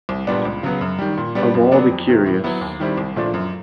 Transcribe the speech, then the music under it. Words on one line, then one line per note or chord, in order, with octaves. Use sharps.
Of all the curious!
C2
A#2 G3 B3 D4
C#2
C#3 F#3 B3
F#2
D#3 G3
A#2
G3 B3 D4
F#2
D3 F#3 B3 D4
F2
C3 D#3
A2
F#3 B3 E4
D#2
D#3 G3 C4 E4
C2
A#2 F3 A3 D4
F#2